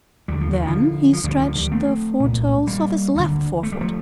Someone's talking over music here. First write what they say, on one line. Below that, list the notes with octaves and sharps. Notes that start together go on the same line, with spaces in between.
Then he stretched the four toes of his left forefoot.
D#2 D3 G3
F3
D#3
D3 F3
F3
D2 D3 D#3 G3
D3 F3
D#3 G3
A3 C4
C2 A#2
G3 A#3
D2 D3
A3
G3
F3 A3